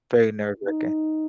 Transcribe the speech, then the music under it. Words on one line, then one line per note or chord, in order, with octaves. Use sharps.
very nerve-wracking.
D#4